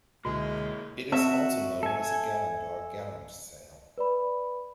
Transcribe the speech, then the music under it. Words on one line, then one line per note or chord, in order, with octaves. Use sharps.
It is also known as a gallant or garrant sail.
C#2 B2 D3 G#3 A#3 E4 F#4
C4 F#4 E5
A4 G#5
B4 D5 B5